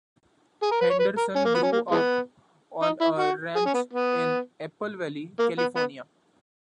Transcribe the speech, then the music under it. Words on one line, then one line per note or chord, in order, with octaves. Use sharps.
Henderson grew up on a ranch in Apple Valley, California.
G#4
A#4
B4
C#5
B4
A#4
C#4
A#3
B3
C#4
A#3
E3 G#3 B3
D#4
E4
F#4
G#4
C#4
B3
B3
A#3
B3
B3